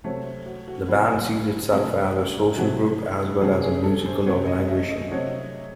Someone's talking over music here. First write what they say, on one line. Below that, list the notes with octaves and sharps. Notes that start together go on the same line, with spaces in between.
The band sees itself as a social group as well as a musical organisation.
C3 F#3 A3 C4 C#5
C5
F#4
F#4
C3 F#3 A3 C4 E4
C3 F#3 A3 C4
C3 F#3 A3 C4 F#4
C3 F#3 A3 C4 G#4
G#4
A4
C5
C3 F#3 A3 C4 C#5
D#5
E5
D#5
C3 F#3 A3 C4 C#5